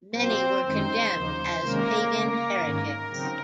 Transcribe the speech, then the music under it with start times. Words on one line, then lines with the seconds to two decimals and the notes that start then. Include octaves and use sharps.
Many were condemned as pagan heretics.
0.15 A#2 F#3 A#3 C4 C5
0.64 F#2 D#3 G#3 C4 D#4 C5
1.13 D#2 C#3 F3 A#3 D#4
1.62 C3 D#3 G#3 A#3 C#4 A#4
2.11 C#3 G#3 C#4
2.61 G#2 D#3 A#3 C#4
3.10 C#3 F#3 C4 D#4